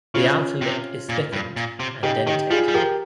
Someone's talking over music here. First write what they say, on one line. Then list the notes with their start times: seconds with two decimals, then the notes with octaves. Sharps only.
The outer lip is thickened and dentate.
0.14 C#3 C#4 F4
0.61 C3
1.09 A#2
1.33 G2
1.56 A#2
1.80 C3
2.03 C#3 D#4 G4
2.26 D#3 D#4 G4
2.50 G3 F4 G#4
2.68 G3
2.74 F3 G4 A#4